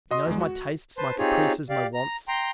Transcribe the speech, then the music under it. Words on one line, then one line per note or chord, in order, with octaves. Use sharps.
He knows my tastes, my caprices, my wants.
F#4 D#5 C6 D#6
E2 G#3
F#4
B4 C5 A5 C6
C4 D#4 F4 G4 G#4 C#5
G4 D5 F5
A#5
G5 A#5 C6